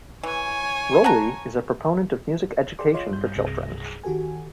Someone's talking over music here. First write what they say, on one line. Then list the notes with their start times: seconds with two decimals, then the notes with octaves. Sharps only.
Rolie is a proponent of music education for children.
0.23 E3 C#5 G#5
1.04 F#5 A5 A#5
2.79 G#4 D5 G5 C6 D6
2.94 F4 C#5 D#5 F5 C6
3.10 G2 G3 G6
3.35 C2 G2 C3 G#4 A#6
4.04 D#3 F#4 G4 A4 G#5